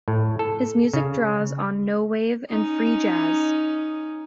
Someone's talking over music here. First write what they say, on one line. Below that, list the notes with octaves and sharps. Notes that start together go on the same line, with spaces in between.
His music draws on no wave and free jazz.
A2
A4
C#3
C#4 D#4